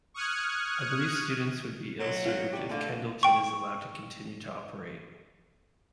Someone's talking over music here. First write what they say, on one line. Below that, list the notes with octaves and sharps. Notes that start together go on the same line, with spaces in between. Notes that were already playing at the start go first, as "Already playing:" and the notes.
I believe students would be ill-served if Kendleton is allowed to continue to operate.
C#6 D#6 F6 F#6 G#6
F#3
F4 F#4
G4 D5
D3 A3 F5
G5 C#6